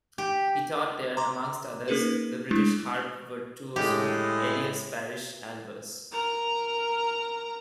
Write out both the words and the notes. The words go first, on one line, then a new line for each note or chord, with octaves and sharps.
He taught there, amongst others, the British harp virtuoso Elias Parish Alvars.
G4
A#5 C6 D6
A#3 C#4 D#4 G#4 A#4 B4
G#3 A3 D4 E4
A2 G#3 G4
A#4 A#5